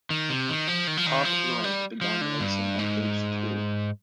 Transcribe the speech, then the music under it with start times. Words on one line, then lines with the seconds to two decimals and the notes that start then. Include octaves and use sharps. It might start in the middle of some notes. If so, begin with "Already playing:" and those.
Top Knight began racing at age two.
0.10 D#3
0.30 C3
0.49 D#3
0.68 F3
0.87 D#3
0.97 F3
1.06 D#3
1.25 F3
1.64 G3
2.01 F3
2.21 D3
2.40 G2
2.79 G#2